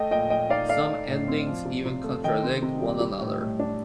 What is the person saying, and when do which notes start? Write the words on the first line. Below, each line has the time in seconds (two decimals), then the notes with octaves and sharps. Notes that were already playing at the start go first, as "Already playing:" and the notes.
Some endings even contradict one another.
Already playing: A3 D#5 G5
0.11 A#2 D#5 G5
0.30 A#2 D#5 G5
0.49 D#4 D5 F5
0.69 A3 D5 F5
0.88 D#4
1.08 A2
1.28 C4
1.47 F3
1.65 C3
1.86 C3
2.04 A3
2.24 D#3 D#5 G5
2.43 C4
2.62 C3
2.82 G3
3.00 G3
3.21 A2
3.40 A2
3.59 D4